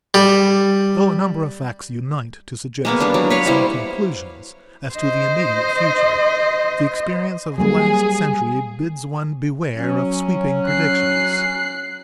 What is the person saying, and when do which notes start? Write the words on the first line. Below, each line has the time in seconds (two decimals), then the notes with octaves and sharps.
Though a number of facts unite to suggest some conclusions as to the immediate future, the experience of the last century bids one beware of sweeping predictions.
0.14 G3
2.85 G#3 A#3 B3
3.00 G3 D4
3.14 F#3
3.30 B4 C#5 F5
3.46 G3 E4 C5
4.93 C5 D#5
7.58 F#3 G3 A#3 G#4
9.77 F#3 C#4
10.66 F#6 C7